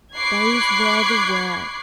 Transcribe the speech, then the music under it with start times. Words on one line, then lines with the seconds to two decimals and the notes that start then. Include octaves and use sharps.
Those were the words!
0.15 B5 C#6 D6 F#6 G#6 C7